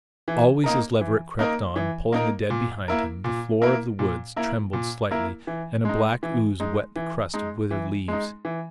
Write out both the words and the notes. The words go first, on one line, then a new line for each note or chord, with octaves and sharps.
Always, as Leverett crept on, pulling the dead behind him, the floor of the woods trembled slightly, and a black ooze wet the crust of withered leaves.
E3
A#3 D#4 A#4
E3
A#3 D#4 A#4
E3
A#3 D#4 A#4
A#2
A#3 E4 A#4
A#2
A#3 E4 A#4
A#2
A#3 E4 A#4
A#2
A#3 E4 A#4
E3
G#3 D#4
E3
G#3 D#4
E3
G#3 D#4
E3
G#3 D#4
E3